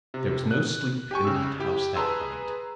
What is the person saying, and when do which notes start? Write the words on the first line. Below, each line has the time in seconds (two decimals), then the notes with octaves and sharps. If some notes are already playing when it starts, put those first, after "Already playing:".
There was no sleep in that house that night.
0.14 C3
0.51 F#6
1.11 G4 G5 G#5 C#6
1.25 C#3 E6
1.60 E4 G4
1.96 G#4 B4 A5 A#5 C6 E6